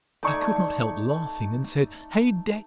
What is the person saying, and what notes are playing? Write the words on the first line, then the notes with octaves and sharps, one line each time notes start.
I could not help laughing, and said, Hey-day!
A3 D#4 D5 C#6 G#6